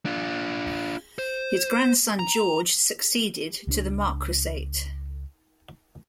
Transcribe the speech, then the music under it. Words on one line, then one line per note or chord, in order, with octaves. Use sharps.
His grandson George succeeded to the marquessate.
D4 F4
C5
A#5
C#2 F3 D4